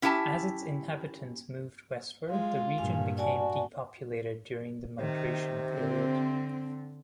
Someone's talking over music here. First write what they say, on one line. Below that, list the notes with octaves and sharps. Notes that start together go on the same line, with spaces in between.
As its inhabitants moved westward, the region became depopulated during the Migration Period.
C#4 E4 G4 G5 A5
G#3 F4
G2 A#2 F5 G#5
F#4 D5 G#5 A5
C3 D#3
D3 C4